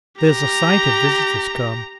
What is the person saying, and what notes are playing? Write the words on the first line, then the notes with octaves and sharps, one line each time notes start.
There's a sight of visitors come.
G4 A#5